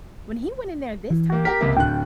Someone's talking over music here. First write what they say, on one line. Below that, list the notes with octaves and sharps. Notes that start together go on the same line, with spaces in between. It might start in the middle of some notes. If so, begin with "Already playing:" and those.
When he went in there this time,
E3
A#3
G4 A#4 B6
C#2 C3 A#3
D1 D3 G5 F#6